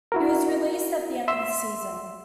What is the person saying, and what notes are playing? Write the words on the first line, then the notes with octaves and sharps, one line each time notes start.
He was released at the end of the season.
E4 F#4 A#4
E5 C6 E6